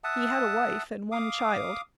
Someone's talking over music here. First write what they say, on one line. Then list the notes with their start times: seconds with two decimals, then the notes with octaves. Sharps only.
He had a wife and one child.
0.04 E5 F#5 A5 D#6
1.12 F5 D6 D#6